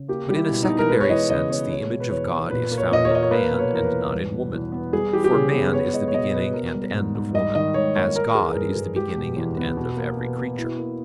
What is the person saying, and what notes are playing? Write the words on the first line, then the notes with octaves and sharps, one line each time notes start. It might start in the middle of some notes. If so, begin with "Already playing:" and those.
But in a secondary sense the image of God is found in man, and not in woman: for man is the beginning and end of woman; as God is the beginning and end of every creature.
Already playing: C#3
A#3 G4
G3 G4
E4
B2
D#4
B2
A#4
G#3 B4
C#5
E3 D#5
C#3 D#5
B3 C#5
G#3 C#5
B2
B4
E2 C#5
B3
A#2 B4
A#3
C#5
A#2 D#5
C#5
A#3 D#5
C#5
A#3 B4
B2
C#5
E2 A#4
B4
E2
G3
B2
E2
B3
G3 G#4
E3 G4
G4
C#3 G#4
B3
B3 C#5
G#3 D#5
C#5
B2 D#5
B2 B4
B3 A#4
G3
G#2
G#2
G3 D#5
D#3 D#5
G#2 C#5
A#3 C#5
A#3 A#4
E3 G#4
B4
G2 A#4
G2 G#4
G#3 G4
B2
E2
B3
B2
A#3
B2
A#3
B2 E4
A#3